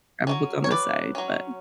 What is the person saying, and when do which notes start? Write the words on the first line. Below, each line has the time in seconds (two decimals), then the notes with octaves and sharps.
have a book on the side." But
0.27 F#3 A3 C#4
0.64 C#5
0.71 B4 D5
1.15 F#3 C#4